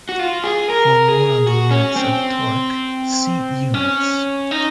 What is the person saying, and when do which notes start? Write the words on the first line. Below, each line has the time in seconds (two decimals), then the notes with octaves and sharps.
For more on the units of torque, see Units.
0.09 F#4
0.19 F4
0.44 G#4
0.70 A#4
1.08 G#4
1.46 F#4
1.71 C#4
1.96 C4
3.74 C#4
4.51 D#4